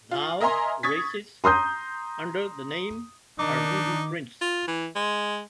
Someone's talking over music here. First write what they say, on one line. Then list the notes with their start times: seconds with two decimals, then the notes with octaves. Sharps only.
Now races under the name Our Voodoo Prince.
0.11 F4
0.41 A#4 D#5 E5 G#5 A#5 C6
0.83 C#6 D#6 G#6 A6 B6
1.44 A#5 C6 D#6 G6
3.39 D#3 D4 D#4 D6
4.41 F4
4.67 E3
4.96 G#3